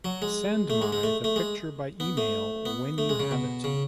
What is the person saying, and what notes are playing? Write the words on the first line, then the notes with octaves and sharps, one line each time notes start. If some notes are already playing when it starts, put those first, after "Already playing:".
Send my the picture by email when you have it.
F#3
G#3
A3
G#3
G#3
A3
A3
G#3
B3
A3
B3
A3
G#3
C#3
B2
C#3